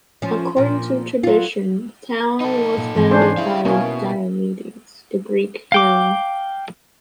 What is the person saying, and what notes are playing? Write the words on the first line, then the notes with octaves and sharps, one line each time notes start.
According to tradition, the town was founded by Diomedes, the Greek hero.
F3 C#4
A#2 F3
F#3 F4
D#4 A4
A#2
G#2 E3 C4
C#4 D4 C5
E4 G#4 F5
B2 A#3 C#4
F5 G5 D6